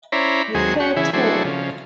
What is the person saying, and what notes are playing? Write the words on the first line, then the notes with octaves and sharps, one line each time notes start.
The third tour.
C#4 E4 C5 D5 A#5 B5
D#2 F#3 G#3 C4 G#4
F#4 G5 C#6
C#3 E3 E4 G#4
F#3 A3 D4 E4 G#4 C5
C#3 F3